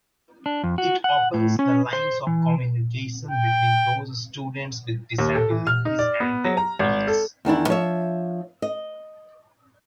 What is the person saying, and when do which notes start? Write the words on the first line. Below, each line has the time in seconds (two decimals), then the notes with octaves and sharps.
It opens the lines of communication between those students with disabilities and their peers.
0.46 D4
0.63 F2
0.78 F#4
1.04 F#5
1.34 A2
1.59 C#4
1.93 C5
2.27 E3
3.31 G5
5.19 D#2
5.35 A4
5.50 E3
5.67 F6
5.85 D#4
5.99 D5
6.20 B3
6.44 F#3
6.57 A#5
6.79 G#1
7.07 A4
7.45 E2 D#3 D4 E4
7.68 F3 C#5 E5
8.62 D#5